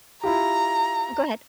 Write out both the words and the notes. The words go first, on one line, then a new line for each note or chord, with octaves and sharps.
Oh, go ahead.
E4 F4 G4 A#5